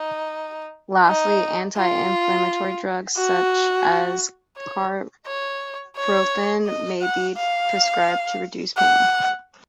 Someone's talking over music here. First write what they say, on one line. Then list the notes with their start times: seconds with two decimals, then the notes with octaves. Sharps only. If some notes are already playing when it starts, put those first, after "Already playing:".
Lastly, anti-inflammatory drugs such as carprofen may be prescribed to reduce pain.
Already playing: D#4
1.07 D#4
1.77 F4
3.16 F#4
4.56 C#5
5.27 C#5
5.96 C#5
6.66 D#5
7.01 F#5
7.37 F5
8.77 F#5